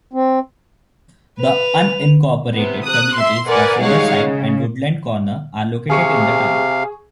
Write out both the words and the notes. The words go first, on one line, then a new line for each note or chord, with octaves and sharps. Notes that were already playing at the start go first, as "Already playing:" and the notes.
The unincorporated communities of Riverside and Woodland Corner are located in the town.
C4
B4 F7
C3 B3
D#6 F#6
E5 C6
A#4 B4 D5 F#5 G#5
G3 G#3 D#4 C#5 F5 F#5
C#3
C3 G#4 F5 C#6 C#7